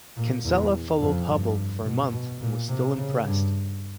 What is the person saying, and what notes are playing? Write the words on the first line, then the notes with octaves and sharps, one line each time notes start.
Kinsella followed Hubbell for a month and was still impressed.
A#2
E2
F2
G2
B2
B2
A#2
C3
C#3
G2